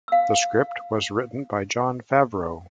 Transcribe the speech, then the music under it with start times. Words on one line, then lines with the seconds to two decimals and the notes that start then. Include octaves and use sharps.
The script was written by Jon Favreau.
0.08 F5 E6